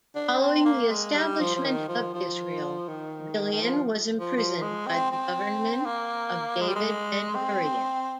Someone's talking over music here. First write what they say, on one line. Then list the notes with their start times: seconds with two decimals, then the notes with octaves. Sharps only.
Following the establishment of Israel, Ghilan was imprisoned by the government of David Ben-Gurion.
0.15 D4
0.40 C4
0.65 A#3
0.90 G#3
1.15 G3
1.40 F3
1.56 F3
1.64 D#3
1.89 F3
2.14 F3
2.88 D#3
3.51 D#3
3.63 F3
4.19 F3
4.37 F3
4.62 G#3
4.87 C4
5.11 C4
5.86 A#3
6.61 G#3
6.68 G3
6.75 G#3
7.35 C4